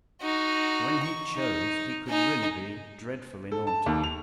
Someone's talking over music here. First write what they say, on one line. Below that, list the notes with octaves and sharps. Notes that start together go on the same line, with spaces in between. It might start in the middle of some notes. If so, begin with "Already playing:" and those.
When he chose he could really be dreadfully naughty.
D#4 F#4
C#6
D#4
D#4 G#5
A4
A5
D#2
F7